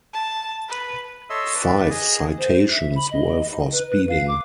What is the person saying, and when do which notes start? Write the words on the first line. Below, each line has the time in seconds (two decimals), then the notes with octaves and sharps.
Five citations were for speeding.
0.13 A5
0.69 B4
1.30 A4 C#5 D#5 E5 C6 E6
1.54 B4 D5
1.90 G#4 D#5
2.37 C5
2.70 E5
2.95 B5
3.10 D#5
3.50 D#4
3.71 B4
3.89 B4
4.08 F5
4.27 D6